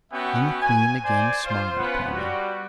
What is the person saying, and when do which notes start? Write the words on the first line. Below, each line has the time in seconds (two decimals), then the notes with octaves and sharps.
Then the Queen again smiled upon them.
0.11 B3 C#4 F#4 E5 G5
0.61 G#5
1.03 C5 D5 G#5
1.43 F4 C5
1.77 B3 C#4 F4 B4 F#5
2.13 G3 F#4